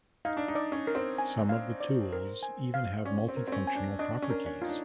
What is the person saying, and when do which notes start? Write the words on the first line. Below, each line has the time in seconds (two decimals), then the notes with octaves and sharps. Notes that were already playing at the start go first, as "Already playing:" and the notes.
Some of the tools even have multifunctional properties.
0.25 D#4 F5
0.37 D4
0.48 D#4
0.55 D5
0.72 C#4
0.87 A#4
0.95 C4
1.18 G#5
1.49 F5
1.80 D5
2.13 A#4
2.43 G#5
2.74 F5
3.05 C#4 D5
3.29 C4
3.37 A#4
3.48 C4
3.52 C#4
3.67 G#5
3.75 D4
3.99 D4 D#5
4.22 C#4
4.30 A#4
4.46 C#4
4.62 D#4 F4
4.69 D4